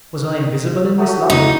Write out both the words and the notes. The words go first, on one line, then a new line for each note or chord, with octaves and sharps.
Was I invisible in this light?
F#3 A3 D#6
D2 C#3 D#4 E4